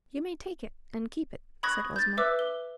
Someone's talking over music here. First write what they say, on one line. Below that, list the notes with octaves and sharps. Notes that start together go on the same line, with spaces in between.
"You may take it and keep it," said Ozma.
B5 C#6 D#6 F#6 G#6 A#6
G6 A6
B4 E5 D6 E6 F#6
G7